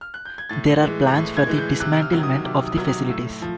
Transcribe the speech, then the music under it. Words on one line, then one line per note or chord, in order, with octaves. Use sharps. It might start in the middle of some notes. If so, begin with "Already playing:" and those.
There are plans for the dismantlement of the facilities.
F6
F#6
G6
G#6
A2 A6
E3 G#3
A2
G#6
E3 G#3
G6
C3 F#6
F6
D#3 F#3
D#6
C3 D6
D#6
D#3 F#3
D#6
A2 E6
F3